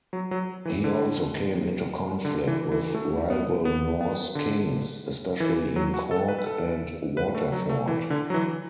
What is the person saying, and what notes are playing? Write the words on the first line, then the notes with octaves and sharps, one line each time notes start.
He also came into conflict with rival Norse kings, especially in Cork and Waterford.
F#3
F#3
E3
D3
D3
E3
E3
A3
B3
B3
B3
D3
E3
F#3
F#4
A4
B4
B4
A4
B4
A3
F#3
A3
E3
D3
F#3
E3